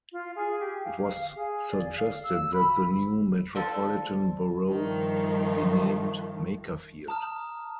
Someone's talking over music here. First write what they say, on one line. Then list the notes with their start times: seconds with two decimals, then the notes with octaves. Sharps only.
It was suggested that the new metropolitan borough be named Makerfield.
0.12 F4
0.36 G#4
0.60 G4
0.85 F5
1.02 F5
1.36 G#4
1.71 D5
1.98 F5
2.24 E6
2.54 B5
3.55 D3 F3 A4
4.67 G2 D#3 F3 A3
7.08 A5 A#5 D#6 F6